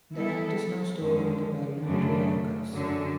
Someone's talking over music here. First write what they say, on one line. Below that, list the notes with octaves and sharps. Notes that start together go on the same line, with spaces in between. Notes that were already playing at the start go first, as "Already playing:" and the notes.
The Act is now stored in the Parliamentary Archives.
G3 B3 E4 A4
F#2 D3 F3 G#3
F#2 C#3 F#3 A3 D4
F#2 D3 F#3